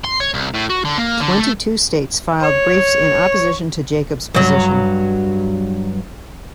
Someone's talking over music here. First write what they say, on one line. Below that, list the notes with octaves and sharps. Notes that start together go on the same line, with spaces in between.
Twenty-two states filed briefs in opposition to Jacob's position.
C6
C#5
C2
A2
F#4
D3
A#3
D3
A3
C#5
G2 F#3